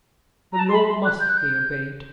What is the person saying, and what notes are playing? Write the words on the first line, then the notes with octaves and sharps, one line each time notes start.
The law must be obeyed.
A#5
A5
C6
B5
C6
F#6
G6
F#6
G6